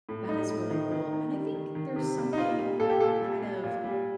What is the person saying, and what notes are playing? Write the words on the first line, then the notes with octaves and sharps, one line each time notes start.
That is really cool, and I think there's something, kind of,
A2
A2 D#4
A2
D#3 D#4
D#3
D#3
G3
D#3
D#3
C3
G3
D#4
A#2 F4
G3
A#2 A4
G4
A#2 A4
G3
G3
A#2
G3